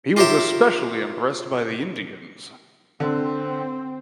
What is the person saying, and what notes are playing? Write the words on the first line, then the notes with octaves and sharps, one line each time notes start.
He was especially impressed by the Indians.
F4 G4 A#4 C#5 E5
D3 C4